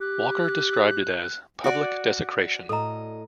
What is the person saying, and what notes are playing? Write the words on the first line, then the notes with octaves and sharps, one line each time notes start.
Walker described it as "public desecration".
G4 F#6
F#4 D5
A2 A4 D#5 A#5